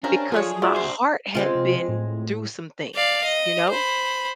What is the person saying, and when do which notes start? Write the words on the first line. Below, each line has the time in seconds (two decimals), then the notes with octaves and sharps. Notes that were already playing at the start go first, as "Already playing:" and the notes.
because my heart had been through some things, you know?
0.04 C3 A#3 C#4 D4 A#4
0.32 D3 F3 A3 F4 G#4 C#5
0.62 F4 F#4 D5 E5
0.76 G3 D4 C5
1.35 C#3 G#3 C4 F4
1.55 C3
1.89 A2
2.95 D5 F5
3.25 D#5
3.69 C5 B5